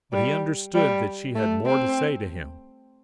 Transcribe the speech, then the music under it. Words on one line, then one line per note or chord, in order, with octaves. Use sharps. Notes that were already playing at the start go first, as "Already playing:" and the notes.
But he understood that she had more to say to him.
G3
G3
A3
C4